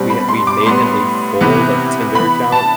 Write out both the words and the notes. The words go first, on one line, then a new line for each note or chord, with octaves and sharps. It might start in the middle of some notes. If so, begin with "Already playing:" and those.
we had we'd made him a full, like, Tinder account,
Already playing: B2 G3 C4
B5
C6
D6
A2 G3 B3 C6
C3 E3 B3
E3 B3 B5
A5